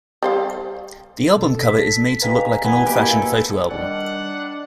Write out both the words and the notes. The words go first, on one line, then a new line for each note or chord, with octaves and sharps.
The album cover is made to look like an old-fashioned photo album.
G3 C5 F5
B2 A4
B6
D#4 G4 B4 F5 G#5 A#5
E2 B3 G#5 A#5
C#2 B2 A#3 E4 G4
A4
D#3 G3 D4 D5 F#5